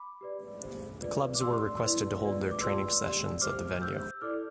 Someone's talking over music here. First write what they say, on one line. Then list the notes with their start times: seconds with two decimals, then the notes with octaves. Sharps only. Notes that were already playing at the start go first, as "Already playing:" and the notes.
The clubs were requested to hold their training sessions at the venue.
Already playing: B5 D6
0.21 G4 B4 D5
0.60 G4 C5
1.01 F4 B4 D5
1.35 D6
1.41 G4 D5 C6 E6
1.82 E4 B4 D5
2.21 F4 B4 D5
2.51 D6
2.61 F4 B4 D5 C6 E6
3.02 G4 D5
3.41 G4 C5 D6 F6
3.81 G4 C5 E6 G6
4.21 E4 A4 D5 D6 F6